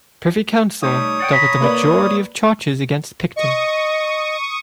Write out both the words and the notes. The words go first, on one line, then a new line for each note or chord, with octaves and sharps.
The Privy Council dealt with the majority of the charges against Picton.
G3 A3 D#4 C#5 D#6
D5 F#5 G5
A#5 B5
A#3 B4 D5
D#5 C#6 D#6